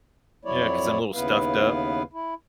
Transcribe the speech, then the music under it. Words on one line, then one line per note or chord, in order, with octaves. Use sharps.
Yeah, 'cause I'm a little stuffed up.
F2 F#3 E4 C#5 D5
D#2 C#3 B3 E4 B4 F5
E4